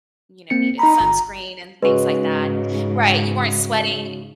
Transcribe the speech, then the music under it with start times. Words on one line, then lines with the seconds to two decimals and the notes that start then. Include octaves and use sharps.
you know, needed sunscreen and things like that. Right, you weren't sweating
0.50 A#3 C4 C#7
0.79 D#4 A#5 B5
1.00 G1
1.82 G#2 C#3 G#3 C#4 F#4 B4